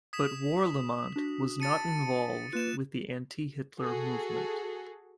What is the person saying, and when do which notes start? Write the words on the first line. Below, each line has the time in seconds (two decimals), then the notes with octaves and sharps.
But Warlimont was not involved with the anti-Hitler movement.
0.13 D#6 G#6 B6 E7
1.16 D4 F#4 B6
1.60 A5 A6 C#7 D#7
2.53 A#3 F4 B4 F#6 E7
3.80 F#4 G#4 A4